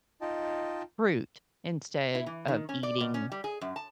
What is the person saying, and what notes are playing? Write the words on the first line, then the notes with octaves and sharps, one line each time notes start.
fruit instead of eating
D#4 F4 D#5 G5 A5
E4
E3
D#3
C#4
D5
B2
C#4
G3
G#4
F#2
A5